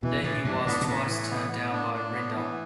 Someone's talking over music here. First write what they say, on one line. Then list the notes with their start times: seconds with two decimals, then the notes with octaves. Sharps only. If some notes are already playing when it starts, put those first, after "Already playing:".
There he was twice turned down by Rinda.
0.03 B2 E3
0.24 A2 E3
0.45 G2 D4
0.66 A2 B3
0.81 B2
0.88 A2 E3
1.09 E3
1.30 B3
1.51 B3
1.73 D4
1.94 D4
2.15 B3
2.36 E3